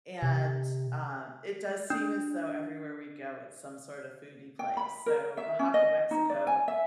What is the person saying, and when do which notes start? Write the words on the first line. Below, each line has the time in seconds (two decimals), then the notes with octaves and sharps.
and, um, it does seem as though everywhere we go, it's some sort of foodie place, so Oaxaca, Mexico
0.22 C3
1.90 D4
4.59 G5
4.77 B5
5.06 A#4
5.37 E5
5.59 C#4
5.74 D#5
6.11 D#4
6.30 D5
6.47 G#5
6.68 E5